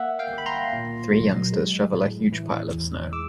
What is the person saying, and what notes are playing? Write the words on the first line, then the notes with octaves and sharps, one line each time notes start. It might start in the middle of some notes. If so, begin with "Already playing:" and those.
Three youngsters shovel a huge pile of snow.
Already playing: A#3 E5 F#5
F5 G5
A#3
B5
A#5 C6
A#2
F#3
G#3
A2
E3
E2
G#3 D6 E6